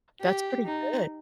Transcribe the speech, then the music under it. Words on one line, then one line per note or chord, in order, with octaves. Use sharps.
That's pretty good.
G4
D#4